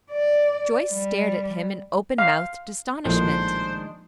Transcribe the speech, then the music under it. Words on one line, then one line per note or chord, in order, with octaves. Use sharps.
Joyce stared at him in open-mouthed astonishment.
D5
G3
F5
A#1 A2 D#3 F3 G#3 A#3 D4 C5